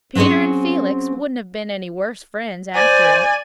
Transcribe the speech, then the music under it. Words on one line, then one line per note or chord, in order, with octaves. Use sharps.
Peter and Felix wouldn't have been any worse friends after it.
F#3 C4 C#4 G#4 C#5
C5 D5 G#5